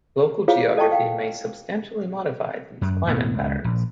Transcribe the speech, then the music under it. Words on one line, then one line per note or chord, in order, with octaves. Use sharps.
Local geography may substantially modify these climate patterns.
E4 F4 G#4 C5 C#5 F5
A4 D#5 G5 A5 C#6
F5 G5
F#2
E1 A2 B3
C#2
A#1